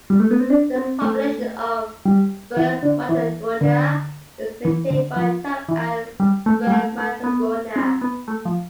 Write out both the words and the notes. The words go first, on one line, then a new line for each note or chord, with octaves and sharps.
The population of spermatogonia is maintained by "type Ad spermatogonia".
G3
A3
B3
C4
D4
C4
A3
G3
E3
D3
E3
D3
E3
D3
F3
E3
G3
A3
G3
A3
A3
B3
C4
B3
A3
F3